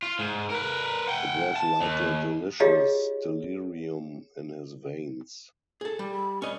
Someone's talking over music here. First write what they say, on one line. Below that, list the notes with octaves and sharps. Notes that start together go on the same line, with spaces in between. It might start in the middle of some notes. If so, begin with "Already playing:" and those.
It was like a delicious delirium in his veins.
F4
G#2
A#4 B4
F#5 G5
A5
D#2
F4 G4 G#4 C#5 D#5 F5
G#4 A4
G3
B5
C#4 D5 D#5